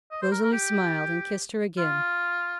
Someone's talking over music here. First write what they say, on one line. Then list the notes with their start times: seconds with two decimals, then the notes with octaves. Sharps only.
Rosalie smiled and kissed her again.
0.11 D#5
0.22 C5
0.31 A#4
0.43 A#4
0.52 G4
1.78 F4